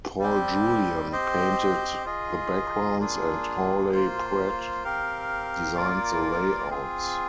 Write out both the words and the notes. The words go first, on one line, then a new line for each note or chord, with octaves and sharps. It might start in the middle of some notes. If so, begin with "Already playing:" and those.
Paul Julian painted the backgrounds and Hawley Pratt designed the layouts.
G3 C4 G4
C4 G4 C5 D#5
F4 G#4 D#5
A#3 D4 F4 G#4
A#3 F4 C5
C4 G4 A#4 F5
A#3 F4 A#4 D5
C4 F4 G#4